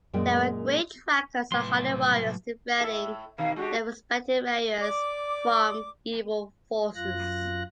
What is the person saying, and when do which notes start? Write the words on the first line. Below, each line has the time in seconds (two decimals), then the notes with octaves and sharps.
They were great trackers and hardy warriors-defending their respective areas from evil forces.
0.13 F#2 A#2 G#3 D5 G5
1.52 C2 A2 F#3 B4 C6
2.78 A2 A4 E5
3.38 B2 D#3 F5
3.56 G#3 D4 F#4 G4
4.81 D5 D6
6.95 F#2 F4 F#6 A#6